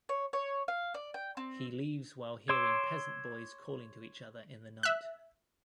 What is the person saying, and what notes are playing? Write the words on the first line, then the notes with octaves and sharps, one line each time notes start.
He leaves while hearing peasant boys calling to each other in the night.
C#5
C#5
F5
D5
G5
C4
C#5 C6 D6 E6
E5 F#6